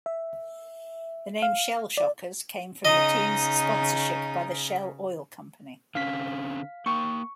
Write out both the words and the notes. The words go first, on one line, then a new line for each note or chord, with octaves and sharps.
The name "Shell Shockers" came from the team's sponsorship by the Shell Oil Company.
E5
F5
D5
C#3 D#4 D#5
D3 C4 C#4 F5 B6
A#3 G5 C#6